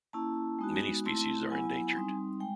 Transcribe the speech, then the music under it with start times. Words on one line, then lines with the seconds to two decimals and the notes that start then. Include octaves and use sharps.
Many species are endangered.
0.13 A#3 C#4 E4 A5
0.59 G#3 B3 D#4 F#4
1.04 A3 C4 E4 A5
1.50 F#3 B3 E4 G#5
1.96 G3 C4 D#4
2.40 G#3 G5